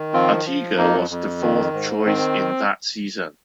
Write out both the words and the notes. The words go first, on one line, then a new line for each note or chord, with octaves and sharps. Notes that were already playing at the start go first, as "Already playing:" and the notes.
Arteaga was the fourth choice in that season.
Already playing: D#3
F3 C4 F4
F3
F2 A#3 D#4
F2
D#3
G#2
D#3 C4